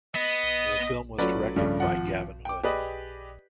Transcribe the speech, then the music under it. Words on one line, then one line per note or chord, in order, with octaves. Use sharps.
The film was directed by Gavin Hood.
B3 D#5
F#3 A3 C#4 F4 B4 D5
G2 C#3 F3 G3 A3
G#1 F3 F#5
G5 D6
G4 G#4 B4 D5 D#5